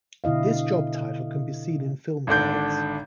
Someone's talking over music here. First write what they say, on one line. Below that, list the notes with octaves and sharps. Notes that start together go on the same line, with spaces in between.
This job title can be seen in film credits.
B2 D3 E4 D#5 F5
G#1 D3 D4 G6